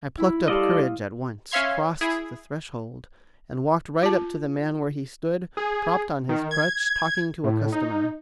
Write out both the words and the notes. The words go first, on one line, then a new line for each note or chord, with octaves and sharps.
I plucked up courage at once, crossed the threshold, and walked right up to the man where he stood, propped on his crutch, talking to a customer.
E4 B5
G3 A4 D5 D#5 F5 C6 D#6
C#4 C#5 E5 F5 C6 G#6
E4 G#4
F4 A5
G#4
D#3
G#6
A2
D#4